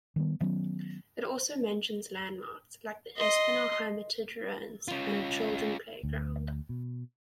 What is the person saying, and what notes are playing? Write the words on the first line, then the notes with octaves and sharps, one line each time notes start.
It also mentions landmarks like the Espinar Hermitage Ruins and a children playground.
D#3 G3 B3
D#3 F#3 B3 C#4
D#5 C6
C#4 F4
D2
B2